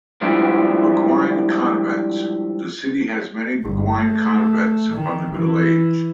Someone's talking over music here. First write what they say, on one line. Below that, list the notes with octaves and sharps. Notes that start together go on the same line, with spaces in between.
Beguine convents : the city has many beguine convents from the Middle-Age.
G#2 F3 G3 D4 E4
G1
A3
D#3
E3